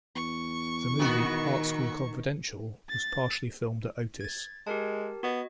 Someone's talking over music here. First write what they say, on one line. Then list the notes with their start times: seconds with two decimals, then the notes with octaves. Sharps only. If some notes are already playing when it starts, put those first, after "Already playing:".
The movie "Art School Confidential" was partially filmed at Otis.
0.15 E2 C#6
0.99 A#2 D#3 B3 F#4
2.90 A6
4.21 G#6 A6
4.67 G#3 G4 A#4 A5
5.23 B3 F#4 D#5